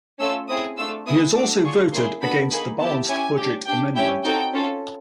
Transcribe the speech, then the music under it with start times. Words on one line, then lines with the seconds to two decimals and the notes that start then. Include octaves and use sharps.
He has also voted against the balanced budget amendment.
0.20 A3 C#4 F4 A4 E6
0.49 C4 E4 G#4 D#6
0.77 A3 D4 F4 E6
1.06 B3 E4 G#4 D#6
1.36 D4 F#4 A4 D6
1.64 D4 F4 G#4 C#6
1.93 A#3 C#4 E4 G#4 C6
2.22 B3 D4 F#4 A4 B5
2.51 A#3 D#4 G#4 B5
2.79 B3 E4 G4 A5
3.08 C#4 E4 G4 G#5
3.37 D4 G4
3.66 D4 G4 G5
3.95 C#4 E4 G4 G5
4.24 C4 D#4 F#4 A4 G5
4.53 C#4 F4 A4